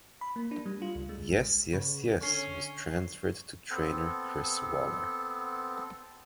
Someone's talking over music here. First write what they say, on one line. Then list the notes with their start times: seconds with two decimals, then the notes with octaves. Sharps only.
Yes Yes Yes was transferred to trainer Chris Waller.
0.21 B5
0.36 A#3
0.51 D4
0.66 G3
0.82 F4
0.95 C#2
1.09 G#3
1.29 A#1
1.73 C#3 B3 C#5
2.21 D3 C#4 A4 C#6 C7 G7
3.70 B3 C4 A4